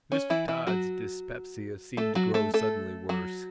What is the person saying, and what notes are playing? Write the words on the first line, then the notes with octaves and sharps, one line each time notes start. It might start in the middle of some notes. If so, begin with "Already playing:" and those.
Mr. Todd's dyspepsia seemed to grow suddenly worse.
C#4
E3 E4
E3 E4
F#3 F#4
A3 A4
F#3 F#4
A3 A4
A3 A4
F#3 F#4